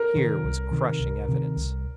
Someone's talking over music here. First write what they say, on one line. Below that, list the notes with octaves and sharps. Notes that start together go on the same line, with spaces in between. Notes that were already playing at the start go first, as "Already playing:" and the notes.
Here was crushing evidence.
Already playing: A#4
C3 D#3
C2
C3 D#3
C2
C3 D#3
C2